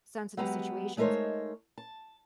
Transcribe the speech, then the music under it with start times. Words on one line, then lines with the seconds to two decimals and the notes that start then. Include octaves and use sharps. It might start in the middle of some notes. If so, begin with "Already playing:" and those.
sensitive situations.
0.37 F#3 G#3 B3 G4 A#5
0.97 G#3 A3 D#4 A#4 C5 C#5
1.78 A5